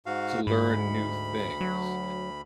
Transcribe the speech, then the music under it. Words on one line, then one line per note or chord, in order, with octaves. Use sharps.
to learn new things
G#2 F#4 F5
D2 G#2 B5
F#3